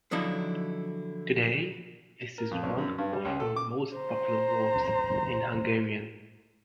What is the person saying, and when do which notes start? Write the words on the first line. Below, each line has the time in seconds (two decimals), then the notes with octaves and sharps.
Today, this is one of her most popular works in Hungarian.
0.11 D3 F3 F#3 D#4 E4
2.38 A#4
2.51 F2
2.63 B1
2.78 F#2
2.98 G2
3.13 G3
3.25 C#2
3.40 A4
3.56 D6
3.96 C5 A#5